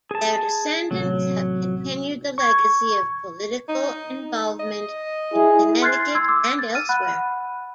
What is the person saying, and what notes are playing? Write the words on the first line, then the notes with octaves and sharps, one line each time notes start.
Their descendants have continued the legacy of political involvement in Connecticut and elsewhere.
G#4 A5
A1 C3 F#3 A3
C#6 G#6
D#4
D#5
E4 G#4
C6 F6 F#6 G#6 A6 C7
C6 E6 G#6
D6 E6
A6
F6 D#7
F#5 B5 F#6